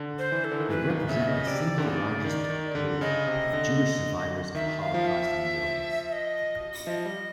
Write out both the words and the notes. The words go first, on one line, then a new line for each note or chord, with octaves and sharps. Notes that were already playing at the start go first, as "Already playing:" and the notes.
They represent the single largest group of Jewish survivors of the Holocaust in Vilnius.
Already playing: D3
C5
E3
A4
D3
D#3
E3 B4
D#3
C#3 E5
C#3 D#5
C3 D5
D3
C#3
D#3
D#3
D3
C#3 D#5
C3
D3
D#3 E5
F5
F3
E5
E5
D#5
F3 D#5 E5
G3